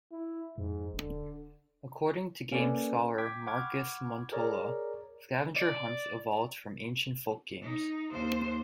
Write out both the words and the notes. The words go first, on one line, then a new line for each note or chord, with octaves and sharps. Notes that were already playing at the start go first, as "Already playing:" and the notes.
According to game scholar Markus Montola, scavenger hunts evolved from ancient folk games.
E4
F2 G#2
D#1 D3
A#3 C#4 A4 B4 C#5 D5
G5 D6 G#6 B6
F#5 B5 C#6 D6 F6 G#6
G#4 A#4 C#5 D5 A#5
D5
D#4
D#2 C5